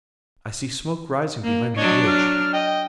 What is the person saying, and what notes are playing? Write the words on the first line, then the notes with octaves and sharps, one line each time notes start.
"I see smoke rising behind that ridge."
A#3
F#3 D4 C#5 D#5
F6
D#5 G5